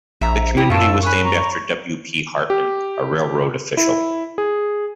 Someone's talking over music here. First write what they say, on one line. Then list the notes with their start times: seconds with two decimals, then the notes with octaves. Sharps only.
The community was named after W. P. Hartman, a railroad official.
0.21 A#1 E5 A#5
0.57 E4 G4 D#6
0.70 F#2 F4 C#5 A5 E6
1.03 C#5 G#5 B5 F#6
1.24 A#5 C#6
2.50 G4
3.77 E4
4.38 G#4